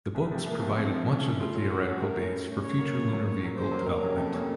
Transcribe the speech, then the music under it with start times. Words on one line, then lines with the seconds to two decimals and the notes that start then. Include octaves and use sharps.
The books provided much of the theoretical base for future lunar vehicle development.
0.15 C2
0.31 C3 F3 A3
0.46 C2 A#3
0.61 C3 F3 A3
0.77 C2 C4
0.93 C3 F3 A3
1.08 C2 C#4
1.23 C3 F3 A3
1.39 A2 F4
1.55 A3 C#4
1.69 A2 F#4
1.85 A3 C#4
2.01 A2 A#4
2.16 A3 C#4
2.32 A2
2.47 A3 C#4
2.62 C#3 C#5
2.78 F#3 A#3
2.93 C#3
3.08 F#3 A#3
3.24 C#3 C#5
3.40 F#3 A#3
3.55 C#3 C5
3.71 F#3 A#3
3.86 F2 A#4
4.01 C3 F#3 A#3 C#4
4.17 F2 A4
4.33 C3 F#3 A#3 C#4